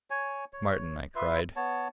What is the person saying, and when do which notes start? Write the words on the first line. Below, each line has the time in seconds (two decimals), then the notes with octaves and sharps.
"Martin," I cried.
0.10 C#5 G#5
0.53 C#5
1.15 F4 B4 E5 C6
1.56 B3 C#5 A5